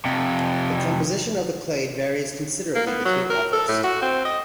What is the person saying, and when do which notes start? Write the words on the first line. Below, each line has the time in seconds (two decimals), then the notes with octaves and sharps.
The composition of the clade varies considerably between authors.
0.05 F2 C3
2.75 A#3
2.86 B3
3.05 F#3
3.30 A#4
3.53 A4
3.68 A2
3.84 F#4
4.02 C4
4.25 D#5